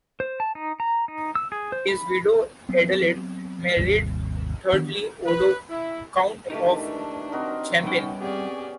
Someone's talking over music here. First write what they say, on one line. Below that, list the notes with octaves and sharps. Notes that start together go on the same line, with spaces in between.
His widow, Adelaide, married thirdly, Odo, Count of Champagne.
C5
A5
D#4
A#5
D#4
E6
G#4
C5
B5
F#3 B3 C4
G#1 D#2 C3 G3
D#3 E3 B3 D4
B4
E4
D#3 E3 A3 D4 D#4 G4 B4
C4 F#4 A#4 D#5
G3 B3 C#4 D#4 E5 G5
C4 G4 G#4 D5